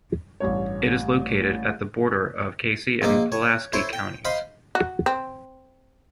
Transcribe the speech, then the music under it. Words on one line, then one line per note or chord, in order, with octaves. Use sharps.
It is located at the border of Casey and Pulaski Counties.
A1 G2 C#5
A#1 A#3 D#5 D6
C#5
E4 A4 C5 C#5
G5
C5 D#5 F5 B5
F#4
C4